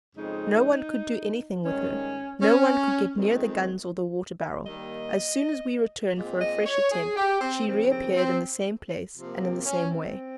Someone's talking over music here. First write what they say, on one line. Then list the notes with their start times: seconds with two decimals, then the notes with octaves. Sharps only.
No one could do anything with her; no one could get near the guns or the water-barrel; as soon as we returned for a fresh attempt she reappeared in the same place and in the same way.
0.16 F2 C#3 G#3 C4 D#4
1.65 G#2 D#3 G3 C#4
2.41 C#4
3.15 F2 D#3 G#3 C4
4.66 D#2 D#3 G3 A#3 D#5
6.16 A#2 G#3 C4
6.41 D#5
6.66 C#5
6.91 G#4
7.16 G4
7.41 C4
7.66 D#2 C#3 F3 C4
7.90 C4
8.16 C4
9.15 C3 F3 A#3
9.41 C4
9.65 C#4
9.90 C4